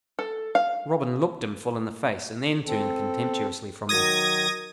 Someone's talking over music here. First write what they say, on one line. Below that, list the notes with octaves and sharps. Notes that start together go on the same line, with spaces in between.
Robin looked him full in the face, and then turned contemptuously from him.
A4
F5
C4 A4
D#3 F#3 D#6 G#6 A#6